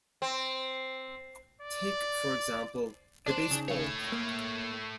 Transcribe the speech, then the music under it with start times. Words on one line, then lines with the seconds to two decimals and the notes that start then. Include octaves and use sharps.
Take for example, the baseball cap.
0.22 C4
1.61 D5
3.27 D4 C5 D5
3.51 C#3 D#4
3.68 A3 C#5
4.12 A#3